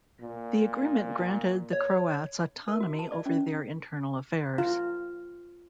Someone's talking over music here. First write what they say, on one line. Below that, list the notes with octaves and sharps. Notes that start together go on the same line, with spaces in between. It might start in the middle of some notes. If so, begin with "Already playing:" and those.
The agreement granted the Croats autonomy over their internal affairs.
A#2
C#5
A#4
F#4
A5
D5
C#4
F4